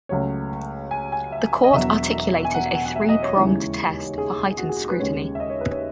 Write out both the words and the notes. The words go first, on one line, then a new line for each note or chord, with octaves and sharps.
The court articulated a three-pronged test for heightened scrutiny.
C#2 C#3 F#3 A3 C#5
G#5
G#5
E5
D#5
E1 E2 B2 F#3 E5
G#5
F#5
F#5
F#5
E5
D#5
C#5
D#2 C#3 E3 G#3
G#4
F#4
G#4
B4
D#2 C#3 G#3 C#4 C#5
E5
D#5
C#5
B4
C#5